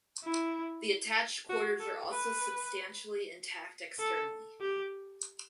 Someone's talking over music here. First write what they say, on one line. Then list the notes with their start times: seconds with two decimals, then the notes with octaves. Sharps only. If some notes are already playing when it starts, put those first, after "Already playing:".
The attached quarters are also substantially intact externally.
0.24 E4
1.49 F#4
1.80 A4
2.11 B4
3.99 A4
4.61 G4